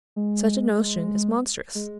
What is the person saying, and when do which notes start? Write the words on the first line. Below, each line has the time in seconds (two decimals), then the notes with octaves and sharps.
Such a notion is monstrous.
0.16 G#3
1.75 G#3